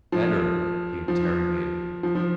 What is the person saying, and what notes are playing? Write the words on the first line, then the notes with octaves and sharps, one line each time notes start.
"Better?" he interrogated.
F3
F3
F3
F3